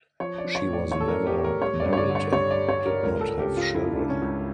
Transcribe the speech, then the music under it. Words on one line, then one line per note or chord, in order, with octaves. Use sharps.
She was never married and did not have children.
F3 C#5
D5
F3
C#5
A2
D5
A2 C#5
A4
A#4
A2
G4
A2
A#4
G3 C#5
D5
G2
C#5
D5
D3
C#5
G3 C#5
G3 D5
C#5
G3
A#4
C#2 A#4
A4
C#2
G4
C#3
F4
C#3 E4
D4
C#2
C#4
C#2